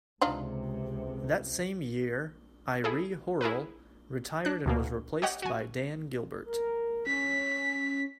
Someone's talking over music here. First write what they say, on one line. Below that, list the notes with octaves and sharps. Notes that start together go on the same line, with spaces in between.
That same year, Irie Horrall retired and was replaced by Dan Gilbert.
C#2 C3 D4 D#4 F4
E4 G#4 A4
E4 G#4 A#4 B4
D4 F#6
D2 B2 A#3
G4 C#5 D#5 F#5 G5
F#4 G#5
A#4
C#4 B6